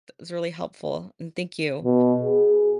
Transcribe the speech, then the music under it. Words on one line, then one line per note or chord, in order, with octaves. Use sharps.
that was really helpful, and thank you
B2
G#4